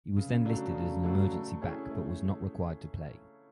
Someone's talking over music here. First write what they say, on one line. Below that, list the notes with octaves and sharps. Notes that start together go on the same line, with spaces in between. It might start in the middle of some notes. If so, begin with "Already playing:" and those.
He was then listed as an emergency back but was not required to play.
C#3
F#3 A3 D4
C#3
F#3 A3 D4
A3
C#4 E4 G#4
A3